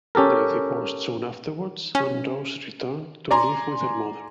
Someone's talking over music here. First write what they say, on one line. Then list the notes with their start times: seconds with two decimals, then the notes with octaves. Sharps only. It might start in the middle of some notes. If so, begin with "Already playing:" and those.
They divorced soon afterwards and Rose returned to live with her mother.
0.15 C#4 G4 A4 A#4
1.95 C#4
3.31 D5 G#5 A#5 C6